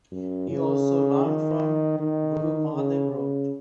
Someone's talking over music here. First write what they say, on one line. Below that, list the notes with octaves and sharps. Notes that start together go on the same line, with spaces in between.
He also learned from Guru Mahadev Rout.
F#2
C#3
D#3
D#3
C#3
C#3